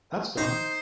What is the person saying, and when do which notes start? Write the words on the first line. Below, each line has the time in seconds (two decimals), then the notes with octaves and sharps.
That’s done.
0.38 D#4 C5